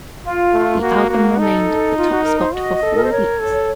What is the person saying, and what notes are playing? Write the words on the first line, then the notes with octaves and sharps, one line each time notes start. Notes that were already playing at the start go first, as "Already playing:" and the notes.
The album remained at the top spot for four weeks.
F4
A3
A#3 F#4
A#3
D#4 A4
F4
F#4
A#4
C5
F#4 D#5
A4
A#4
C5
A#4 C#5
A4